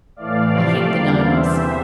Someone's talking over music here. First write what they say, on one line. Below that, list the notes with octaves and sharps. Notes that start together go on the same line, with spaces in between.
I hate the diamonds.
A2 E3 A3 D5 F5
C3 F3 A3
E2 D3 G3 A#3
E2 C3 E3 C5 E5